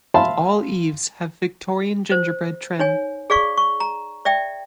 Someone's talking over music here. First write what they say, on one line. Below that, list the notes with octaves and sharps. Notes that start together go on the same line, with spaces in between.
All eaves have Victorian gingerbread trim.
E5 F5 A5 B5 C6
C5
D#4 C#5 G#5
G#4 D5 F5 C#6
C#6
A#5
D5 E5 G5